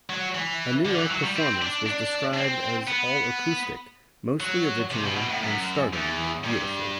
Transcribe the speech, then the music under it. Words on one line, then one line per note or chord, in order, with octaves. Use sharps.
A New York performance was described as all acoustic, mostly original and startlingly beautiful.
F#3
E3
D3
E3
F#3
G3
C4
D4
D4
D4
C4
B3
F#3
C3
B2
B2
A2
F#2
E2
G2